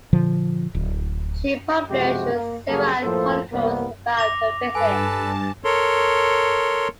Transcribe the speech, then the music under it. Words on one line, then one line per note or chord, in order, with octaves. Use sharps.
She published several articles about her visits.
A#2 D3 F3
D1
B1 C3 F3 G#3 F#4 G4
A#3
C#3 F#3 G3 A#3 G#4 A4
A2 F3 A#3 A4 C5
C2 A#3 B3
D6 A#6 F7
G2 A4 B4 G#5 A5
A4 A#4 C#5 C6